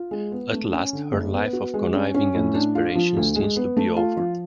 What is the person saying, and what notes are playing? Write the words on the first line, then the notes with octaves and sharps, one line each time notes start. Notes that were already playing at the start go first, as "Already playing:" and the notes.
At last, her life of conniving and desperation seems to be over.
Already playing: F4
G#3
B3
A3
C#4
D3
F#1
B3
F#4
G#3
C#4
C#4
A2
D4
F4
F3
D2
G#3
B3
A3
F4
F3